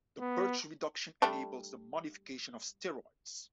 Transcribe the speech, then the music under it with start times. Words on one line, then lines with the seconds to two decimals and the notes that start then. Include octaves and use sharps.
The Birch Reduction enables the modification of steroids.
0.20 B3
1.22 G3 A3 D4